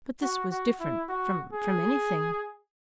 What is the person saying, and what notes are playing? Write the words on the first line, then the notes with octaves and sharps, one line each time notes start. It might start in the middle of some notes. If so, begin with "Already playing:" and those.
But this was different from--from anything.
F#4
F#4
E4
F#4
G#4